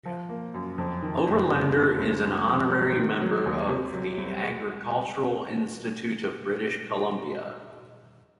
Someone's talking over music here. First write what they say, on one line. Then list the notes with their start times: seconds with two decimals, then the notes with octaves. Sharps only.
Oberlander is an honorary member of the Architectural Institute of British Columbia.
0.05 F3
0.29 A#3
0.54 F#2
0.78 F2
1.03 D#3
1.27 F#1
1.51 C3
1.75 D#3
1.99 C#2
2.24 F#2
2.47 F3
2.72 G#1
2.96 D#3
3.21 F#3
3.46 D#2
3.69 C3
3.93 F#3
4.18 C2
4.43 G#3